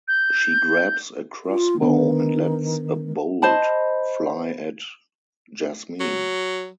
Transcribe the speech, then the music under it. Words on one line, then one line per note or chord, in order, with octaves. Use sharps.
She grabs a crossbow and lets a bolt fly at Jasmine.
G6
F4
D3 D#3 B3 D4
C5 D#5 A5 B5
F#3